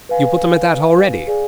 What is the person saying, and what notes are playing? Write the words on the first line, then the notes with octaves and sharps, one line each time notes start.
You put them at that already?...
B4 F5 G#5
G#4 D5 F5 G#5